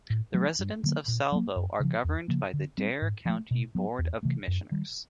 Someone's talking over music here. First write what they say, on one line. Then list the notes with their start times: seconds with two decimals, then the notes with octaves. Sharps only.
The residents of Salvo are governed by the Dare County Board of Commissioners.
0.10 A2
0.34 F#3 A3
0.59 G2
0.83 D3 F#3 A#3
1.08 A#2
1.32 F#3 A#3
1.56 F#2
1.80 C#3 F3
2.04 E2
2.28 C#3 F3 A#3
2.53 D3
2.78 G3 C4
3.02 G#2
3.25 F3 A3
3.51 B2
3.75 F#3 B3
3.99 E2
4.23 C3 E3 A3
4.48 F#2
4.72 D#3 G3